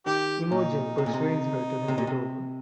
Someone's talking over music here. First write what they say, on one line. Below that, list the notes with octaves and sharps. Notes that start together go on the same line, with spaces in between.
Imogen persuades her to hand it over.
D#3 G4
A#2 D#4
C3
A#2
C3
C3
A#2
C3